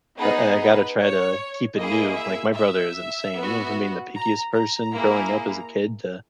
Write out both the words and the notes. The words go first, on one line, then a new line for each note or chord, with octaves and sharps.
Uh, I I gotta try to keep it new. Like, my brother is insane, he went from being the pickiest person growing up as a kid, to
B3 D#4 G#4 B4
B4
C#5
A#3 E4 G#4 D#5
E5
E5
B3 F#4
A#5
A#5
A#3 E4 G#4